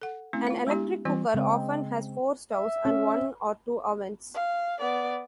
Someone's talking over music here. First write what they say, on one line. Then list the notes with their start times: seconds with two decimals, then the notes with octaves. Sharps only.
An electric cooker often has four stoves and one or two ovens.
0.02 A4 F#5
0.33 A3 C4 C#4 E4
0.47 F4 F5
0.67 G#3 B3 D4 E4 G4
1.05 E3 G3 C4 F4
1.34 C#3 G#3 C4
2.52 E5
2.85 C#4
4.34 F5
4.80 B3 D5